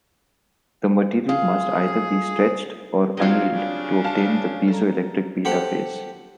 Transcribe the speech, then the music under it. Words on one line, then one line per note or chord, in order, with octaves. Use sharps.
The material must either be stretched or annealed to obtain the piezoelectric beta phase.
F4 G#4
F#3 C4 D4 F4 G4 D#5 G#6
C#3 D4
F5 A5
A4 A#5
G4 A4 C5 F#5